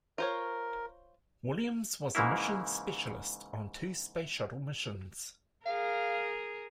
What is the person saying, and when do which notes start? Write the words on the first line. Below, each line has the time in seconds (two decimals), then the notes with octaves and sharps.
Williams was a mission specialist on two space shuttle missions.
0.18 F4 A#4 C5 C#5
2.15 G#2 C#3 E3 A#3 E4
5.66 G#4 A#4 F5